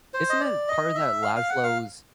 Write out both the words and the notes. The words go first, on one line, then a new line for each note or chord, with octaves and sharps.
Isn't it part of that Laszlo's
C5
D#5
D5
D#5
E5
F5
F5
F#5
F5